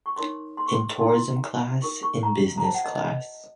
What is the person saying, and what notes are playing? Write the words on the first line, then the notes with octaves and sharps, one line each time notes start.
In tourism class, in business class.
C#6
D#4 A#4 C#5 C6
C6
C#6
C6
D#4 A#4 C#5 C6
A#5
C6
D#4 F#4 A#4 C#6
C#6
A#5
A#5
F#4 C5 A5
F#5
D#5
D#5
D#5